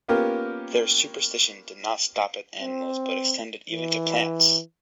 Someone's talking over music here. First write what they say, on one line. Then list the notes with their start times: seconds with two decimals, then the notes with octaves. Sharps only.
Their superstition did not stop at animals but extended even to plants.
0.08 A#3 B3 C#4 F4 G4 A#4
2.60 C4
3.70 E3